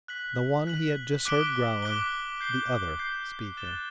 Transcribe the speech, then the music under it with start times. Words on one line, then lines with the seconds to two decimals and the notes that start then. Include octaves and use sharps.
The one he had just heard growling, the other speaking.
0.08 F#6 B6 F#7
0.67 F#6 B6 F#7
1.25 D6 F#6 B6 D7 G7
1.82 D6 F#6 B6 D7 G7
2.40 G6 C7 G7
2.98 G6 C7 G7
3.57 F#6 A6 E7 G7